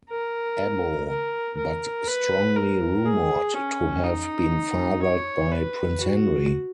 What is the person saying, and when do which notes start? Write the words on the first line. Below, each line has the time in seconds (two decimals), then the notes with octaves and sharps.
Abbo, but strongly rumored to have been fathered by Prince Henry.
0.11 A#4
1.09 A#4
1.58 A#4
2.08 B4
2.56 A#4
3.06 G#4
3.54 C#4
4.04 D#4
5.03 C#5
5.52 B4
6.01 F#4